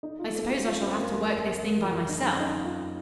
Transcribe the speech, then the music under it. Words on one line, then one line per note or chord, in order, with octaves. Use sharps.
"I suppose I shall have to work this thing by myself."
D#4
F4
A4
F#4
F#4
F4
C#4
C4
A#3
A3
A#3
F3
F#3
D#4
C#4
D#4
F4